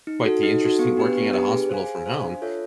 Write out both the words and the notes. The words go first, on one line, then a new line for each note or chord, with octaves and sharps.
quite the interesting working at a hospital, from home.
D#4
F#4 A4
D#4
F#4 A4
B3
D4 G4 B4
B3
D4 G4 B4
G#4
C5 F5 G#5
G#4
C5 F5 G#5
D4
F4 A4 C#5 E5